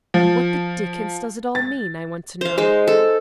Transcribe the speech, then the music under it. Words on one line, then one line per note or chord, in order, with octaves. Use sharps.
What the dickens does it all mean, I want to know?
F3
A6
C5 F5
G#3 D#4 C5
A4